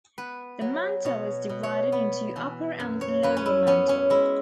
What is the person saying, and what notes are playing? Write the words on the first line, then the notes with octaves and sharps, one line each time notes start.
The mantle is divided into upper and lower mantle.
B3 B4
F#3
B2 C#5
B2
C#5
B3
E3
F#2
C#5
F#2 B4
C#4
E4
B3 C#4
C#4
G#3 E4